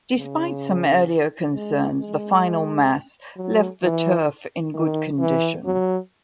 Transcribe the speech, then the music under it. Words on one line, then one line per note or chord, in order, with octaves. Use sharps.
Despite some earlier concerns the final mass left the turf in good condition.
C#3
G#3
G#3
F#3
E3
D#3
E3
F#3